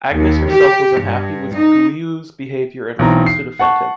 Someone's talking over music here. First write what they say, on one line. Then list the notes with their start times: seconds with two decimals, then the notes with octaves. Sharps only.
Agnes herself was unhappy with Guiu’s behavior and refused to defend him.
0.13 D#2
0.52 G4
1.01 G2
1.55 D#4
2.99 B1 E3 C4 A#5
3.26 C7
3.59 F#5 A5 C#6